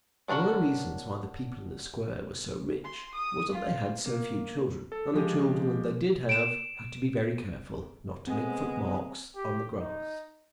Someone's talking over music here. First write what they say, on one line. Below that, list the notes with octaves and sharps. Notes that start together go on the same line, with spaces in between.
One of the reasons why the people in the Square were so rich was that they had so few children; and the children that they did have had to be very careful not to make foot-marks on the grass.
C#4 D4 F4 F#4 A#4
C6
D#6
F4
A#3
A4
F3 G#3 G4
D7 E7
G#3 B3 C4
G4
D#4